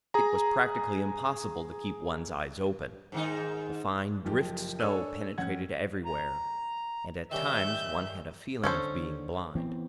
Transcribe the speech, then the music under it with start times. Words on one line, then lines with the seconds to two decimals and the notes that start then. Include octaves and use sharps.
It was practically impossible to keep one's eyes open; the fine drift-snow penetrated everywhere, and at times one had a feeling of being blind.
0.14 G#4 A#5
3.12 G#2 D#3 D#4
4.25 F#1 F3 G4
4.79 D4 A4 C#5 G#5 E6 D#7
5.38 F2 C#4 F#5 G#6
6.05 A#5
7.31 D#3 G3 C#4 E5 G6
8.64 D3 C#4 A4 C5
9.55 E3 B3 C4